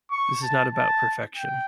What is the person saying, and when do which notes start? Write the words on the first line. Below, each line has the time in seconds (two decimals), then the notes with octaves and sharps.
This is not about perfection.
0.11 C#6
0.43 A5
0.73 A5
1.37 G5